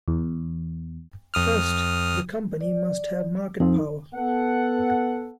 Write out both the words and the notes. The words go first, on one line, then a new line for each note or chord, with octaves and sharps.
First, the company must have market power.
E2
F2 D#6 F6
D5
F2 F3 C4 D#4
B3 A4 F#5